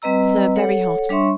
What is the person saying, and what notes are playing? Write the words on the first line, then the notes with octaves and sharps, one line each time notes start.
Serve very hot.
G3 C4 B4 D#5 A#5 E6
A4 C#5 F#5
G3 D4 C#5 E5 C6 C#6